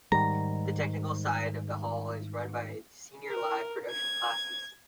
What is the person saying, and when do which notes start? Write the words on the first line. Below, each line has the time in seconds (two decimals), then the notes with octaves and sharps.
The technical side of the hall is run by the senior live productions classes.
0.12 G#2 D#3 G3 A#5
3.29 A#4
3.90 G#6